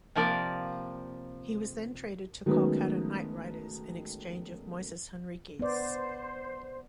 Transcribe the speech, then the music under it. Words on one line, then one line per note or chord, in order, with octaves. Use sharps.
He was then traded to Kolkata Knight Riders in exchange of Moises Henriques.
C3 F3 A#3 D5 F5
D#3 F#3 G#3 A3 B3 C#4
B3 C5 D5